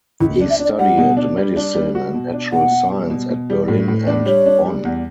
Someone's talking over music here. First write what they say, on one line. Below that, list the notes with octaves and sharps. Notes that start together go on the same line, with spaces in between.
He studied medicine and natural science at Berlin and Bonn.
C#2 E4
F#4
D4
E5
D4
D5
G3 F#5
B2
D4
G3
D4
G3
F#4
B2
D4
B2 F#5
B2
G3
B2
B2
G3
A2
A2
D4
G3 C#5
D4
G3
E2